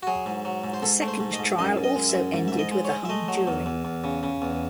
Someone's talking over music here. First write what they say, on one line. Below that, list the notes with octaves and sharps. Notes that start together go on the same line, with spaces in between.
The second trial also ended with a hung jury.
F#4
F#3 G#4
G#2
F#3
G#2
C5
G#2 A4
A3
C5
G#2
D#5
G#2
F#2 D#5
F#2
D#5
G#3
E5
F#2
G#2
G#2 E5
D#5
G#3
C#5
G#3
E5
A3 D#5
F#3
E2
E2
E2
C#3
C#3
E2